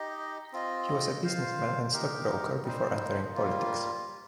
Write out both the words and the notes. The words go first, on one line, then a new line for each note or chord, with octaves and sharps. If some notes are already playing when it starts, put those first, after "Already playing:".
He was a businessman and stockbroker before entering politics.
Already playing: D#4 G4 D#5
C4 F4 D#5
F4 C5 F5
D#4 G4 A#4
G3 C4 D#4 C5
G3 A#3 F4